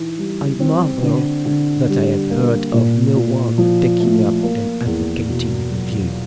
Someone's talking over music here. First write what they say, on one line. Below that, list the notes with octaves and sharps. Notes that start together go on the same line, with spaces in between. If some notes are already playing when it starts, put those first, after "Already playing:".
I marvel that I have heard of no one taking up and advocating the view.
Already playing: E3 D#4
G3
C4
D3
D3
G3
A#3
A#2
A#2
F3
A3
A#3
E2
B2
F#3